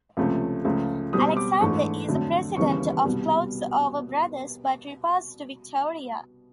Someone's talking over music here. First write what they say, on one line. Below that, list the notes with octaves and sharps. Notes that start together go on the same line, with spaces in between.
Alexander is the president of Clothes Over Brothers but reports to Victoria.
C#2 C3 F3 A3 C#4
C#2 C#3 F3 A3
B2 G3 C4 D#6
D6
G#2 E3 A3 D4 C#6
F2 D3 F#3 A3
D#2 C#3 E3 G3 B3 C#6
C2 B2 G3